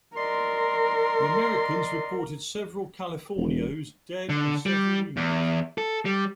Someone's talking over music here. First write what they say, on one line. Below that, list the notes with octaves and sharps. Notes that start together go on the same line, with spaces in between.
The Americans reported several Californios dead and several wounded.
A#4 D5 D#5 C6
E1
D3
G3
E2
A4
G3